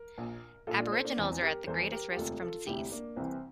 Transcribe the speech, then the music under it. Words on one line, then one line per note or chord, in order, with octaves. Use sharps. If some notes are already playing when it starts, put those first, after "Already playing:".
Aboriginals are at the greatest risk from disease.
Already playing: A#4
A#1 A#2
A#1 A#2 F4 A4
D4 F4
A4 C5
A#3 D4
E1 E2 E3 C4
G4 A#4
E1 E2 E3 A4 C5
G4 A#4
G4
E1 D2 C3 F4 A4
F4 A4
E1 D2 C3 E4 G4
A#3 D4
C2 C3 E3 C4